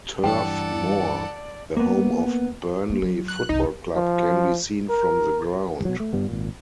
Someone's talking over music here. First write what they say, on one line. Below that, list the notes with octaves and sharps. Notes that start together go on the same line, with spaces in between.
Turf Moor, the home of Burnley Football Club, can be seen from the ground.
G2 E3 A4 D5 F#5 G5
A#3 B3
A#3
F#3
F#6
C2 G2 D#4
F3
A#4
B2 F#3
A3
G1 G2 G3 B3
G#1 A#2